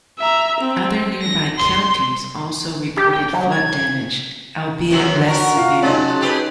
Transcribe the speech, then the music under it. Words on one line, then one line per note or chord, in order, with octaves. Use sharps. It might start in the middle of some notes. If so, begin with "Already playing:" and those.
Other nearby counties also reported flood damage, albeit less severe.
E5 A#5
C4
A#6
C6
G4
G5
F#3
G#6
F#2 D#3 F#3
F#4 A#4
F4
F#3 G#3 C#4 D#4 A5
G4 G#4 B4